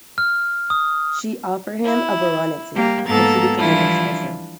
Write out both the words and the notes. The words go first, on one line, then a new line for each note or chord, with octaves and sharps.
She offered him a baronetcy, but he declined this also.
F6
D#6
E4
G3 A#3 G4
G#2 A#3 B3 A4 A#5 A6
E3 F3 G3 D4 E4 F4